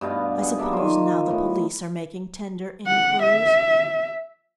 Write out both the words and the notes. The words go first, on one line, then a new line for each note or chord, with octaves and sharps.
"I suppose now the police are making tender inquiries?"
G2 B2 B3 F5
G#4 F#5
G3 A#3 D4 E5
D#3 F4
A2 B3
F#5
E5